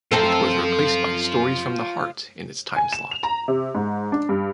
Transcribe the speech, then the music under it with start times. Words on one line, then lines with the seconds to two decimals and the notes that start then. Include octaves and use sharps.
It was replaced by "Stories from the Heart" in its timeslot.
0.11 F#2 C4 F4 A4 C5
2.76 G#5
2.93 E7
3.11 F7
3.23 A#5
3.48 C3
3.75 G#2
4.12 D4
4.29 G2